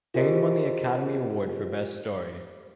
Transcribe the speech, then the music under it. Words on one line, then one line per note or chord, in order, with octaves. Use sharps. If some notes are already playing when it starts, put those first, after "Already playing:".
Dane won the Academy Award for Best Story.
F4 G4 G#4 A#4 C5 D#5